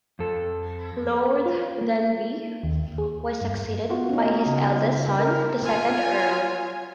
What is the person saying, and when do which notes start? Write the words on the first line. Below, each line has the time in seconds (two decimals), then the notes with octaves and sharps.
Lord Denbigh was succeeded by his eldest son, the second Earl.
0.19 F2 A4
1.46 F4
1.81 A#3
2.63 D#2
2.98 G#4
3.41 G2
3.90 B3 F4 F#4
4.09 C#4 D#4
4.46 C#3
5.19 A#4
5.64 F4 G#5